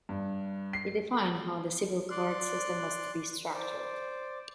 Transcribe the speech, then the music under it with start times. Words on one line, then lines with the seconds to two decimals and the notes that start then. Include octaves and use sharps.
It defined how the civil court system was to be structured.
0.09 G2
0.73 C7
2.11 D5 C6 F#6
3.55 C5 D5